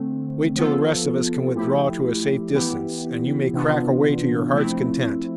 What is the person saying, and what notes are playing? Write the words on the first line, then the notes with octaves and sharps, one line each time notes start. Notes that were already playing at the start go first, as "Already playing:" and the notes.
Wait till the rest of us can withdraw to a safe distance; and you may crack away to your heart's content.
Already playing: D3 A3 C4
F3 B3 F4 A4
F3 A3 E4 G4
E3 B3 E4 G4
C3 E3 B3 D4 F4
F3 A3 C4 E4